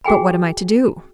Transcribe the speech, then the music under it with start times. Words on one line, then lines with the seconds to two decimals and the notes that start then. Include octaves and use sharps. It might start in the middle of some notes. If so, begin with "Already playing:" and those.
"But what am I to do?"
0.04 F#4 G#4 G5 G#5 B5